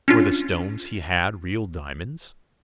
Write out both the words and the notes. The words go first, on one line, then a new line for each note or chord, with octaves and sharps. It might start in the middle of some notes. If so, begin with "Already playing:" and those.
Were the stones he had real diamonds?
C#4 D4 F4